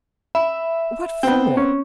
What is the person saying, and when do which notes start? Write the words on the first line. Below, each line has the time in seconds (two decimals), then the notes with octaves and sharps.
What for?
0.35 E5 B5
1.23 B3 C4 G5
1.57 C#4